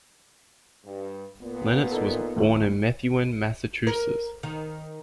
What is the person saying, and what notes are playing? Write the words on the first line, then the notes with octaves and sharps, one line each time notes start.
Lennertz was born in Methuen, Massachusetts.
G2
A#2 B3
D#4 A4
D2 A2 E3
A#4
D#3